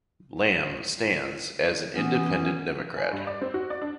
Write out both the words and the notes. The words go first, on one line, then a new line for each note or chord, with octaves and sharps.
Lam stands as an independent democrat.
E3 B3 C#4
G#5
G2
D5
C4
F#4
D5
D4